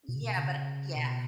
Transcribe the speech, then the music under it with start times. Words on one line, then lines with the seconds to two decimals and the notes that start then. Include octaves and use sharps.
yeah but yeah.
0.09 B2
0.16 C#3
0.22 B2
0.37 C#3
0.96 B2